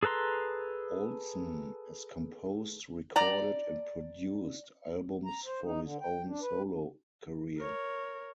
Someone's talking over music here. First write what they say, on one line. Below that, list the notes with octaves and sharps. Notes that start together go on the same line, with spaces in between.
Olsson has composed, recorded, and produced albums for his own solo career.
G#4 A4 B4 A#5 C6
D5 A#5
A#5
C5
D#4
D3
G5
D4
B4
A#4 C#5